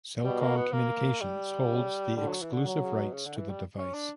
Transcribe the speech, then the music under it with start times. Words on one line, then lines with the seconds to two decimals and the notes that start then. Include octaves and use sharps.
Cellcom Communications holds the exclusive rights to the device.
0.24 B2 G3
0.41 A#3
0.57 B3
0.72 A#3
1.21 G3
1.68 C#3
2.17 D3 G3
2.29 F#3
2.41 E3
2.53 D3
2.65 F#3
2.81 C#3
2.97 B2
3.13 C#3
3.26 D3
3.38 E3
3.49 G3
3.78 C#4
3.94 D4